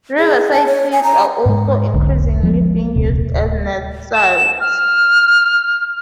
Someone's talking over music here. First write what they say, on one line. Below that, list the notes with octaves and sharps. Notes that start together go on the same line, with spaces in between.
Riverside cliffs are also increasingly being used as nest sites.
G#4
A5
C#5
G#5
A#5
G#2 G#3
E1 B1 D3
F3 G#3 A3 B3
D#1 C2 C3
D1
E7
F6